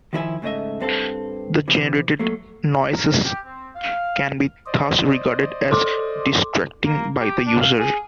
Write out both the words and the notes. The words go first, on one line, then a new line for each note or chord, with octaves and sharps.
The generated noises can be thus regarded as distracting by the user.
D#3 F3 E4 G4 E5 G#5
G#2 C#3 A3 D#5 E5
G2 C4 A4 F5
C3 E3
F#3 A3 A#3
A#4
G4
C4
F5
C5 D5 D#5
A4 C6 D6
A#3
G4
D4
F5
G#4